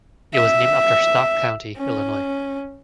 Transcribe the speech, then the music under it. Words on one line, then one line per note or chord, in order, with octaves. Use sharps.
It was named after Stark County, Illinois.
E5
C#4